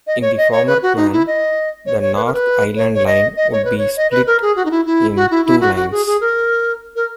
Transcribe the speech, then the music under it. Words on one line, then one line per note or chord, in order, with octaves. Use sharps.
In the former plan, the North Island Line would be split in two lines.
D#5
C#5
D#5
C#5
B4
F#4
D#4
E4
D#5
C#5
C#5
B4
A#4
B4
C#5
C#5
D#5
D#5
C#5
B4
C#5
D#5
B4
A#4
G#4
F#4
D#4
E4
E4
F#4
E4
E4
F#4
F#4
G#4
G#4
A#4
A#4